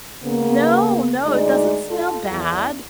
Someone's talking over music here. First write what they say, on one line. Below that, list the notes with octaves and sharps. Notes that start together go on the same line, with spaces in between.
No, no, it doesn't smell bad,
C#3 A#3 B3
D2 G#3 D#4 D5
F4 A4
E2